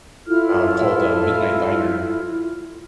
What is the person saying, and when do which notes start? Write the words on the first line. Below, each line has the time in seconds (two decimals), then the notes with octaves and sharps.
uh, called, uh, Midnight Diner,
0.27 E4 F4 A4 F6